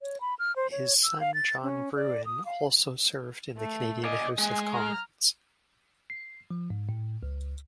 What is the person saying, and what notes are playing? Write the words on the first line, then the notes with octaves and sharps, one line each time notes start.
His son John Brewin also served in the Canadian House of Commons.
C#5
B5
F6
C5
C#5
E6
F5
A6
C#4
D5
D#6
F5
A3
D5 D#5 G#5
G#3 G#5
A#5 F6
C7
F3
G#2
A2
C#2